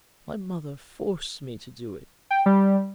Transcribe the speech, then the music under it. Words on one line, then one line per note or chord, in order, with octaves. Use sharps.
My mother forced me to do it.
G5
G3